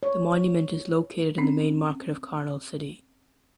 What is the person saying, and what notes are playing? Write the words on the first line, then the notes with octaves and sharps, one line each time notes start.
The monument is located in the main market of Karnal City.
C#5
C4 C#4